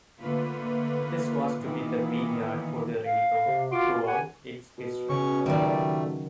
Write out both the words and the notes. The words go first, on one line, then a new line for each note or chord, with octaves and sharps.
This was to be the main yard for the railroad throughout its history.
D3 A3 A#3 F4 B4
A#2 D#3 E3 B3
F5
C3
F4 F#4 C6 D6
G4 F#5 G#5
B2
C#3 C#4 C#6
A#2 D#3 F#3 G3 A3